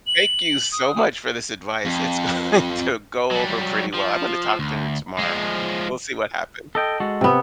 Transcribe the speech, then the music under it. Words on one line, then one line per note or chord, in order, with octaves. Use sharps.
Thank you so much for this advice, it's going to go over pretty well, I'm gonna talk to her tomorrow. We'll see what happens.
F#7
D#6
F2
F#3 G3
F3
D2
F3 G#3
A4 D#5 G5
G#3 F#4 A4
C3 B3